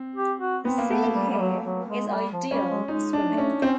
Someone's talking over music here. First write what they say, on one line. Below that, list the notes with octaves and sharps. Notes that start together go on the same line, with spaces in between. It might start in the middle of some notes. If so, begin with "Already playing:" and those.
The sea, here, is ideal for swimming.
Already playing: C4
G4
F#4
B3 C4
A#3
A3 B3
A#3
G3
G3
F#3
F#3
G#3
G#3
G3
F3
G3 C#4
G#3
G#3 D#4
D4
A3
C#4
C4 C#4